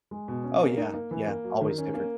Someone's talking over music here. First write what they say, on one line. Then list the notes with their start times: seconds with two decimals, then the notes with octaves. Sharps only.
Oh, yeah, yeah. Always different.
0.11 G#3
0.28 B2
0.44 C#4
0.61 A#3
0.77 D#4
0.94 A#3
1.11 E3
1.28 A#3
1.45 F#3
1.61 D#3
1.78 C#4
1.94 A#3